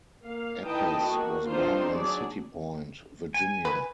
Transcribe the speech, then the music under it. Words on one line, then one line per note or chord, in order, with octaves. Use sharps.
Eppes was born in City Point, Virginia.
A#3 F5
E3 D#4 B4 D#5 G5 A5
A#3 F#4
C4 D4 D#4 F4 C5
F#3 D4 G#4 D5
G#5
B4